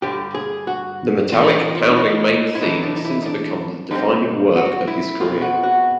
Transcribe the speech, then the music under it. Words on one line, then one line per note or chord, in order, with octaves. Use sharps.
The metallic, pounding main theme has since become the defining work of his career.
G2 D3 G3 G4
G#4
F#4
G2 E3 G3 C4 F4
D#4
F4
D4
D#4
E4
A2 E3 A3 D#4
D4
D#4
E4
D#4
D4
D3 G3 C4 D#4
F#4
E4
B2 G#3 C4 F4
F#4
F#4